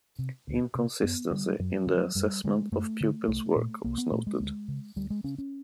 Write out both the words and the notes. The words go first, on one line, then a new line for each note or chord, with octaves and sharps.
Inconsistency in assessment of pupils work was noted.
C3
D2
C3
F#2 B3
D3 G3
F#2 F#3
D3 F#3
F#2 G3
D3 G#3
F#2 A3
D3
C2 A3
A#2
C2 A#3
B3
A#2 A3
G#3
D2
C#3
D2 G3
G#3
C#3 C#4
C#4